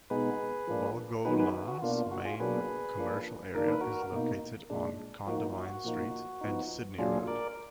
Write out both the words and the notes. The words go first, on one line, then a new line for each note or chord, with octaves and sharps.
Balgowlah's main commercial area is located on Condamine Street and Sydney Road.
B2 G#3 B3 D#4 G#4 B4
F3 A#3 D4
D#3 F#3 B3 D#4 G#4 B4
G#4 B4
F#4
B2 A#3 D4 F4
F4
F#4
F4 G#4
B2 F#3 A#3 D4 G#4 B4
F3 A#3 D4
D#3 A#3 D4 A#4
B4
F#4 A#4
B2 A#3 D#4
A#2 G#3 D4
F3 A#3 D#4 F#4
F#4
F#4
A#2 F3 A#3 D#4
F3 B3 D#4
A#2 F#3 D4 F4 G#4
A#4 D5